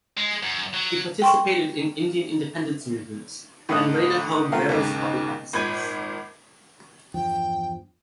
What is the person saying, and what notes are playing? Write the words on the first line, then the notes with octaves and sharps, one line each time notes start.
He participated in Indian independence movement and later hold various public offices.
G#3
F#2
F#3
G5 C6 C#6
A2 D3 A#3 D#4 D#6 F#6
D3 A3 F4 F#4 A#4 F5
D#2 G#2 C#3 A#3
G#1 A#2 B5 G6 G#6 D#7
E2 G2 F3 G5